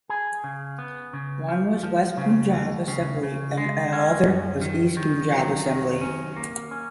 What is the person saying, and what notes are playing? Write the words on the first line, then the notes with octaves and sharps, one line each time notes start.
One was West Punjab Assembly and other was East Punjab Assembly.
G#4
C#3
B3
C#3
F3
F3
C#3
D#2
C#3
C#3
G#3
C#4
F#2
D#3
D#3
F#3
D#3
C#4
A#3
C#4